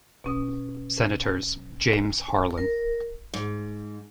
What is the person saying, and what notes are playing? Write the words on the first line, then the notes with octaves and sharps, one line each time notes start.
Senators, James Harlan.
B2 C#4 D#6
A#4
G#2